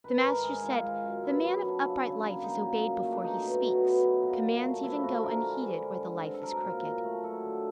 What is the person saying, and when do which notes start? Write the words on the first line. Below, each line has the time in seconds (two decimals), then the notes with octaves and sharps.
The Master said, The man of upright life is obeyed before he speaks; commands even go unheeded when the life is crooked.
0.04 D#3 B4
0.23 G#2 A#4
0.43 G#2 G#4
0.63 G#3 F4
0.84 D#3
1.03 F#2
1.23 B3 E4
1.44 F#3
1.63 F#3 D4
1.84 C#3
2.04 C#3
2.24 A#3
2.43 F#3 D#4
2.63 A#2
2.84 A#2
3.04 A3
3.11 D4
3.24 F#3 D#4
3.44 B2
3.64 B2
3.83 B3
4.03 F#3
4.23 A#2
4.44 A#2
4.63 A3
4.83 F3 E4
5.03 D3 F#4
5.23 D3 A#4
5.43 G#3
5.63 G3 C5
5.83 D3
6.04 D3
6.23 C4
6.34 A4
6.43 F#3 A#4
6.63 A#2
6.83 A#2
7.04 A3
7.24 F#3 A4
7.43 D3